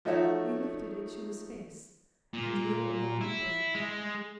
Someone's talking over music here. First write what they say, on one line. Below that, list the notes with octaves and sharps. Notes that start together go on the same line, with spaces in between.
He lifted it to his face, and drew a long breath.
F3 A3 D#4 F#4 C#5 E5
A#2
E4
G#3